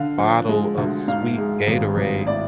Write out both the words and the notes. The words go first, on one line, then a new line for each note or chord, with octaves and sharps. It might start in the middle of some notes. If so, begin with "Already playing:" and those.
bottle of sweet Gatorade,
Already playing: D3 F5
F3
G#3
D2
G#2 F5
G#3
G#1
G#1
A2 D5